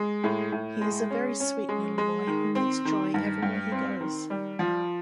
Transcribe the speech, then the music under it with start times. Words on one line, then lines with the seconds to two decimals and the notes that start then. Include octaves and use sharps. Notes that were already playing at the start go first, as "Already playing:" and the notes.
He is a very sweet little boy who makes joy everywhere he goes.
Already playing: G#3
0.24 A2
0.52 A2
0.81 G#3
1.10 C#4
1.40 C#4
1.69 G#3
1.98 G#3
2.27 D#3
2.55 C4
2.85 D#3
3.14 G2
3.42 G2
3.72 C4
4.01 D#3
4.30 G3
4.59 F3